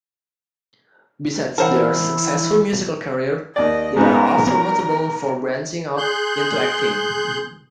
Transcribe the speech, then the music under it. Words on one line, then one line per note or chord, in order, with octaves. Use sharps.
Besides their successful musical careers, they are also notable for branching out into acting.
E3 E4 A#4 C5 F#5 A5
D#2 D5 D#5
G#2 C#3 B3 A#4
G#4 C6 F#6 G6